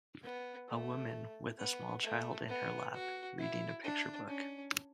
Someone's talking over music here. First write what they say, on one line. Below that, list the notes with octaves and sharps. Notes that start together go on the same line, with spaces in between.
A woman with a small child in her lap reading a picture book.
B3
A3
B3
A3
B3
F#4
E4
D4
C#4